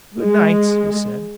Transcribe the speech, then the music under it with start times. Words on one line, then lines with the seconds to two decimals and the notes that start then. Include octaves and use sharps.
"Good night," he said.
0.21 G#3